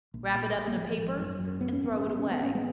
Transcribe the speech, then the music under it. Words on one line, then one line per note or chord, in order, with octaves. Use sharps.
Wrap it up in a paper, and throw it away.
A#1
A#2
A#1
A#3
G#1 F3 G#3
G#1
F#2
F#2
F#2 B3
C#4
G#1 B3
C#4
G#1
B3
G#1 C#4
B3
G#1 C#4
G#3 B3